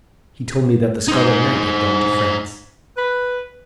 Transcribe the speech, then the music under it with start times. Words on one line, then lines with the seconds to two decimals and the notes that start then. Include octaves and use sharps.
"He told me that the Scarlet Knight had gone to France."
1.08 D#4 C5
2.97 B4